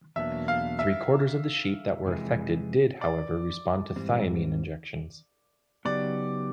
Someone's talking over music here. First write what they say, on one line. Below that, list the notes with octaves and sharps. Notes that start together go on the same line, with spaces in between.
Three-quarters of the sheep that were affected did however respond to thiamine injections.
E2 B2 F#3 A#3 D4 E5
F5
E5
F2 C3 E3 G#3
D5
G#2 E3 G3 C4
C#3 F#3 B3 D#4 G4 D5